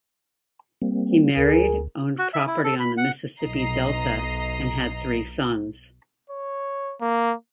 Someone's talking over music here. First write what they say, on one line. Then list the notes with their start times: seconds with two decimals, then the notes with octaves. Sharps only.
He married, owned property on the Mississippi Delta, and had three sons.
0.82 G3 A#3 C4
1.37 D2 G#4 A#4
2.18 F#4
2.33 E5
2.47 E4
2.64 A4
2.80 B5
2.97 F#5
3.40 B1 D#5 A#5 C7
6.30 C#5
7.01 A#3